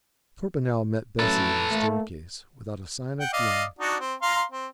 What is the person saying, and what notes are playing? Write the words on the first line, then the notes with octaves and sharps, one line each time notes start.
Torpenhow met Bessie on the staircase without a sign of feeling.
F#3 A3 C#4 A4 B4
A3 A#3
F#5 G5
D5 D#5 F5
D4 D#4 F#4
C4
F5 A#5 C6
C4